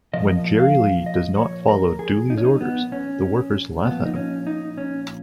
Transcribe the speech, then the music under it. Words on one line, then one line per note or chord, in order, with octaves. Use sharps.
When Jerry Lee does not follow Dooley's orders, the workers laugh at him.
A#2 F3 D#5
F5
D#5
C#5
A#4
G#4
D#4
C#4
D#4
B3
C#4
A#2 F3 B3
D#4
C#4
D#4
C#4